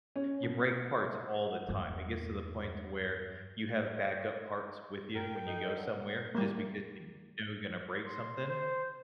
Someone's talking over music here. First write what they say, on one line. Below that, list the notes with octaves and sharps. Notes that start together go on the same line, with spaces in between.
you break parts all the time; it gets to the point to where you have backup parts with you, when you go somewhere, just because you know you're gonna break something,
C#4
B2
E2 G2
G2 A#4 G5
D#4 A4 D#5
D3 C#5 F#5
G3 A#3
C6
C5